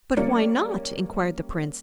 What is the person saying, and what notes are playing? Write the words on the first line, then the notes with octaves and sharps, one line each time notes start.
"But why not?" inquired the prince.
G3 A#3 C#4 D5 C#7